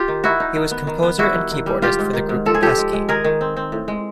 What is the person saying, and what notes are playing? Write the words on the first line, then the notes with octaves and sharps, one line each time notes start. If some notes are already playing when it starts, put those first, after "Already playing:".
He was composer and keyboardist for the group Pesky.
Already playing: F4 G4
D#3
D#4 E4 F#4
D#4
D#3
B3
D#3
B3
G3 E4 F#4
D#3
D#3
G3
G#2 F4 G4
G#2
D#3
G#2
F3 A4
G#4
F3 G4 A4
G#3
G#3
D#3 G#4 A#4
D#3
C4
C4
A2
G#3